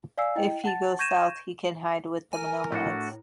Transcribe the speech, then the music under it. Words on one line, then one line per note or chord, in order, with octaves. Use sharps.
If he goes south, he can hide with the nomads.
D5 F5 G#5 E6 C7
E4 D#5 G5
F#5 A5 A6
C#6 G6 G#6 A#6 D#7 E7
A#4 G#5
A2 A3 D4 F#4